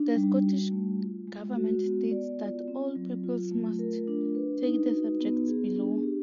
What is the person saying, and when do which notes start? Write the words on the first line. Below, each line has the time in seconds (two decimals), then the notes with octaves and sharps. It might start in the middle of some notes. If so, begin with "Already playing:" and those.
The Scottish Government states that all pupils must take the subjects below.
Already playing: D4 D#4
0.16 G3
0.43 F#4
0.72 A3
0.99 F4
1.27 G#3
1.56 F#4
1.83 B3
2.11 D5
2.39 F4
2.68 C4
2.95 F#3
3.24 F4
3.51 A3
3.79 A#4
4.07 D4
4.35 B4
4.63 D#4
4.91 F#4
5.20 B3
5.48 G#4
5.76 D4
6.03 G4